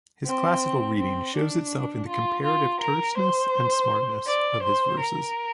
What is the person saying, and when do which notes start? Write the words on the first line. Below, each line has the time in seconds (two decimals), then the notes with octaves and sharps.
His classical reading shows itself in the comparative terseness and smartness of his verses.
0.26 C4
0.98 C4
1.35 D4
2.08 F4
2.44 F4
2.81 A#4
3.17 C5
4.26 D5
4.63 C5
5.00 A#4